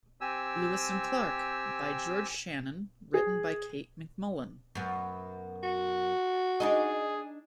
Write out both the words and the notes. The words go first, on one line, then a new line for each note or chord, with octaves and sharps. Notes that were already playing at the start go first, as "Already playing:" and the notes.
Lewis and Clark, by George Shannon written by Kate McMullan.
C4 G4 G#5 E6
G#4
F#2 B3
F#4
D4 D#4 G#4 D#5